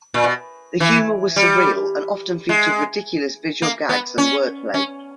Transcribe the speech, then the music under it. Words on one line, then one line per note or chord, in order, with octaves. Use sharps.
The humour was surreal and often featured ridiculous visual gags and wordplay.
A#2
B2
E3
G3
G#3
A#3
B3
C#4
C#4